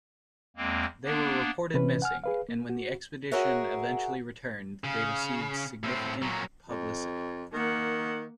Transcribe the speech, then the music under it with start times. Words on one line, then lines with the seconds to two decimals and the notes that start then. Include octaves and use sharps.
They were reported missing and when the expedition eventually returned they received significant publicity.
0.57 E2 G#3 A#3 C4
1.04 A#3 B3 D4
1.74 C3 E3 C#4 B4
2.02 F#5 G#5 F6
2.24 G#4 B4 F5
2.49 A#3
2.70 F#4
3.32 F#4 G#4 A#4 C#5 E5 F#5
4.84 C#3
5.83 A2 C4
6.22 A#2 F#3
6.70 F2
7.53 D#3 A#3 F#5